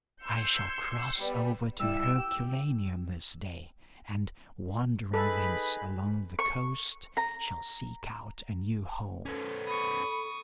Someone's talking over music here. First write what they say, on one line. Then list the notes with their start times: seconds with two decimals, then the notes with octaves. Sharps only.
'I shall cross over to Herculaneum this day, and, wandering thence along the coast, shall seek out a new home.
0.23 C6 E6 G6 G#6 C7 C#7
1.18 G3 B3
1.80 G3 E4 E6
2.16 G4
5.14 D#4 G#4 A4 B4 B5
6.39 C#6
7.17 A#5
9.25 B3 C#4 A4
9.67 B5 C#6 D#6